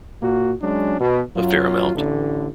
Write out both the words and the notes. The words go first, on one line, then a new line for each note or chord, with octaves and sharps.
A fair amount.
A#2 A#3 F#4
F#3 G#3 C#4 D4
B2
F#2 F#3 F4
A1 D3